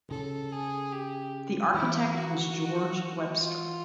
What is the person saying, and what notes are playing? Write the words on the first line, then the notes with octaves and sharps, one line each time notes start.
The architect was George Webster.
C#3 A4
G#4
G4
E3 E4
F#4
F4